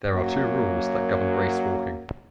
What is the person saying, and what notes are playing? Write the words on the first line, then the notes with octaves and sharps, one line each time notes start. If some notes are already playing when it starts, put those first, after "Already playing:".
There are two rules that govern racewalking.
F#2 F#3 A#3